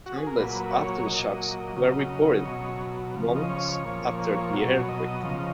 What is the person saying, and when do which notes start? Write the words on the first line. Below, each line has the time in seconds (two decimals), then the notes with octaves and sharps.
Countless aftershocks were reported months after the earthquake.
0.06 F#4
0.17 G#4
0.27 A#4
0.37 A#2 F#3 B4
0.60 B4
0.71 C#5
1.06 A#2 F#3 D#5
1.76 C#3 F#3
2.45 B2 F#3 C#5
3.15 C#3 F3
3.36 D#5
3.50 C#5
3.84 A#2 F3
4.19 C#5
4.54 B2 F#3 C#5
4.78 C#5
4.89 D#5
5.24 C#3 F3